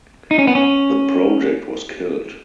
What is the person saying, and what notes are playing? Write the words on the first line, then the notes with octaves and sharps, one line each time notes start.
The project was killed.
D#4
C#4
B3
C#4